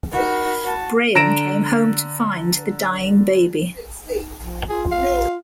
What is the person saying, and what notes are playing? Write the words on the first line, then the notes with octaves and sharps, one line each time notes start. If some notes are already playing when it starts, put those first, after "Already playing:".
Braham came home to find the dying baby.
D#4 F#4 A#4 B5
F#4 A5
D3 A#5 A#6 D7 E7
F3
F4 G#4
F5